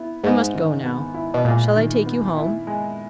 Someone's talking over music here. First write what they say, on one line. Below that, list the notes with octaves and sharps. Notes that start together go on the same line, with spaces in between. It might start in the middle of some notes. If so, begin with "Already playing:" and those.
"I must go now. Shall I take you home?"
Already playing: B3 E4
G#2 G#3
D#3
B3
E4
B2
A#2 G#3
D#3
B3
E4
G#3